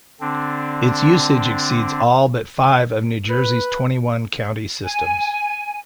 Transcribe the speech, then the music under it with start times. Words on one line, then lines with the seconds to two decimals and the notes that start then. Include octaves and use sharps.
Its usage exceeds all but five of New Jersey's twenty-one county systems.
0.21 D3 C4 D4
3.30 B4
4.84 G#5